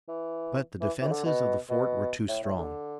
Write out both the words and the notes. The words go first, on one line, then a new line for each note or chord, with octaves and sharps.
But the defenses of the fort were too strong.
E3
E3
E3
B2
D3
B2
B2
A2
A2
D3